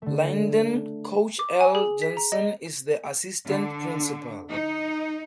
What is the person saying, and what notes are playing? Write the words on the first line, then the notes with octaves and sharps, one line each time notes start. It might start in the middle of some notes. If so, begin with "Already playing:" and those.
Lyndon "Coach L" Johnson is the Assistant Principal.
D3 A3
D6
G#5
G#4
B6
A#5
D#5
D3
D#4